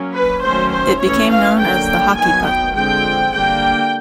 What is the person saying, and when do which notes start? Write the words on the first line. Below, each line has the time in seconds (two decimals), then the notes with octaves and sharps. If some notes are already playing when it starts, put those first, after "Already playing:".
It became known as "the hockey puck".
Already playing: F#3 A#3 C#4
0.12 B4
0.42 D#3 F#3 A3 C#4 C5
0.71 C5
1.00 E3 A3 C#4 C#5
1.29 F5
1.58 D3 F#3 A#3 G5
2.16 D#3 F#3 B3 G#5
2.46 G5
2.74 D3 F3 G#3 C4 G5
3.33 D3 G3 A#3 D4 G5